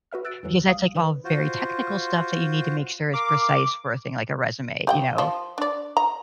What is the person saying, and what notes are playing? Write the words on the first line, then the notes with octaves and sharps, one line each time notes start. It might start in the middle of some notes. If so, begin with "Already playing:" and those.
Because that's, like, all very technical stuff that you need to make sure is precise for a thing, like, a resume, you know,
F#4 B4 E5 F6
E6 F#6 A6 D7
E2 G2 D3 E3 F#3
B1 G3 F5 D#6
D#3 B4
F4 F#4 C5
A#4 F5 D6
G4 F#5 G5
F3
D4 D5
A#5